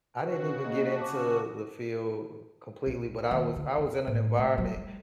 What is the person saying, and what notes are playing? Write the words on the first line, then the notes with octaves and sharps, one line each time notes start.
I didn't even get into the field completely, but, I was I was in an environment
C#3 F#4 B4
A#3 G#4 D#5
A5 D6
B1
D#2
D3
E2
A2
A3
F#3
G3